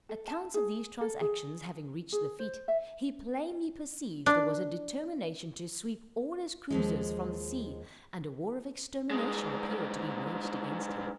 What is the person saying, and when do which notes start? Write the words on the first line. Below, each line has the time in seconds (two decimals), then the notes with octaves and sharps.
Accounts of these transactions having reached Lafitte, he plainly perceived there was a determination to sweep all his cruisers from the sea; and a war of extermination appeared to be waged against him.
0.09 A4
0.28 A5
0.54 G#4
1.01 A4
1.21 G#4
2.12 G#4
2.39 C5
2.68 E5
4.26 D4
6.70 D#2 F3 G#3
9.10 G2 G#3